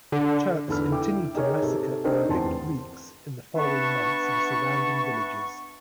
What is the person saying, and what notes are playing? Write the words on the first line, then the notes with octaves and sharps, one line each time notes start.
Turks continued to massacre or evict Greeks in the following months in surrounding villages.
D3
E2 D3 A4 B5 F6
E4 G5 D6
D#4 G#4 A#4 C#5
C3 D#4 A4
C4 D4 D#4 G4 A#4 C5
F1 E2 B4 A5 C6
B3 D4 E5 A5 C#6